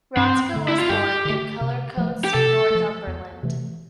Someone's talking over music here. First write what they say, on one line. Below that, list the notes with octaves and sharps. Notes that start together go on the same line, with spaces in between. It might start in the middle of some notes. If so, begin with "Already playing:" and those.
Rodska was born in Cullercoats, Northumberland.
G2 C4
D3 A3
E4
F4
G2 G4
D3 A3
C3
F3 A3
G4
C3 A4
F3 A3
E2
C3 E3 A3